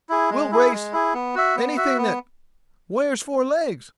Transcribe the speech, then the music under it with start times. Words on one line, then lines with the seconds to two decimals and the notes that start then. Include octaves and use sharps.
We'll race--anything that--wears four legs.
0.09 E4 G#4
0.30 G#3
0.51 E4 G#4
0.73 G#3
0.93 E4 G#4
1.14 B3
1.35 F#4 E5
1.56 B3
1.77 F#4 E5
1.98 B3